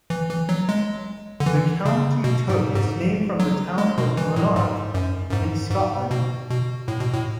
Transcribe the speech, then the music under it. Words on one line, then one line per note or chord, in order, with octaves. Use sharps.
The county took its name from the town of Lanark in Scotland.
E3
E3
F#3
G#3
D3
E3
C#3
B2
G#2
G#2
F#3
G#3
B2
E3
A2
G#2
F#2
F#2
G#2
G#2
B2
B2
A2
B2
A2